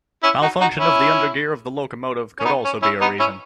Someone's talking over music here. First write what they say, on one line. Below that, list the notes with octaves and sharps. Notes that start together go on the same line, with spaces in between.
Malfunction of the undergear of the locomotive could also be a reason.
C#4 E4
D#4 F#4
D#4 F#4
C#4 E4
C#4
B3 D#4
C#4
C#4 E4
B3 D#4
C#4 E4